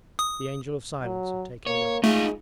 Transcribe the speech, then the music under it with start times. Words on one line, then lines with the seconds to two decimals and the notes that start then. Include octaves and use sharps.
The Angel of Silence had taken wing.
0.19 D#6
1.03 F#3
1.67 A#3 C#5
2.04 G#3 A3 D#4 F4